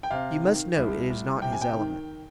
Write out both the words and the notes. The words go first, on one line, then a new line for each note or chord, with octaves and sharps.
"You must know it is not his element."
G5
C3 F5
D#3
C2
C2
C3 G5
G#5
G5
D#3